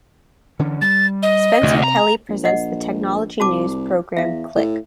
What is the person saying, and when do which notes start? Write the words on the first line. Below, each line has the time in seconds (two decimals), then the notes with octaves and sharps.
Spencer Kelly presents the technology news programme "Click".
0.59 D3 E3 C#4
0.82 G3 A6
1.23 D#5
1.63 D2 C3 C4
1.84 A#5
2.29 A#1
2.45 D#5 F#5
3.40 C2 F#4 A5 D6
4.17 E2 E5 F5
4.56 A2